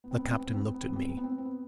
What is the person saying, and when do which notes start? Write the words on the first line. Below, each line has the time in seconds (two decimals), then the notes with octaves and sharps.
The captain looked at me.
0.04 B3
0.11 C4
0.18 B3
0.25 C4
0.32 B3
0.40 C4
0.46 B3
0.54 C4
0.61 B3
0.67 C4
0.74 B3
0.82 C4
0.89 B3
0.96 C4
1.03 B3
1.10 C4
1.17 B3
1.24 C4
1.31 B3
1.38 C4
1.45 B3